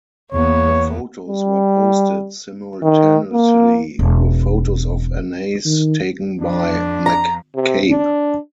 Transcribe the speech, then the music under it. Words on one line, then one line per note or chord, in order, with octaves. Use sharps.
Her photos were posted simultaneously with photos of Anais taken by McCabe.
E2 A#3 B3 C#5
G3
D#3
A#3
E1
D#3
F2 D4
A#5
C3
D4